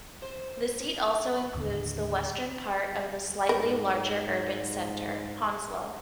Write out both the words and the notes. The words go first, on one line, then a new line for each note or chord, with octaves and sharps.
The seat also includes the western part of the slightly larger urban centre, Hounslow.
C5
D#2 A2 D3
G#2 A#4 B4